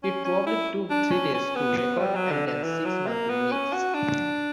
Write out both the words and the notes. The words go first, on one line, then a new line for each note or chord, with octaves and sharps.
It probably took three days to record and then six months to mix.
C#4
C#4
E4
D4
C#4
C#4
B3
B3
G3
F#3
D3
D3
E3
F#3
A#3
B3
C#4
F#4
D4